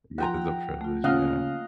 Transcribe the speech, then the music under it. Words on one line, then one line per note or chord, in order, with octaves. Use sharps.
It is a privilege, yeah.
F3 F4 F#5 G5 A#5 C6
A3 F4
C#3 A#3 F4 C#5 D#5 F5 F#5